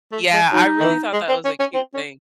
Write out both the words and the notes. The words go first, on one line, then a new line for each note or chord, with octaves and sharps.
Yeah, I really thought that was a cute thing.
A3
G#3
F#3 D#4
D#3
E3
G#3
C4
C#4
C#4
C4
C#4